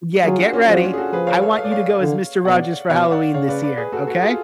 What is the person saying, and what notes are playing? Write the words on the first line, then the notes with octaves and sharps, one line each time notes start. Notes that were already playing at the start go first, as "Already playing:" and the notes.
Yeah, get ready. I want you to go as Mister Rogers for Halloween this year, okay?
F#3 F4 G#4
D4 F#4
C#4 F4
F3 D4 F#4
C#4 F4
G#4
F#4 A4
F3 G#4 B4
C#5 F5
A4 C#5
F5
D5
C#5 F5
D3
B2 D5 F#5
B2 C#5 F5
D5 F#5
C#3 C#5 F5
B4 D5
B4 D5
G#4 B4
F#4 A4
F#4 A4
F4 G#4